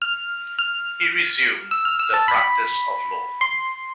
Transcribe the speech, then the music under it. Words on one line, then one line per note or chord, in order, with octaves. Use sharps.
He resumed the practice of law.
F6
F6
E6
F6
E6
A5
B5
C6